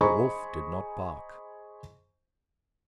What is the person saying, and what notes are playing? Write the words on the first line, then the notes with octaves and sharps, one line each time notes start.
The wolf did not bark.
G#4 C5 D#5 A#5 B5 C#6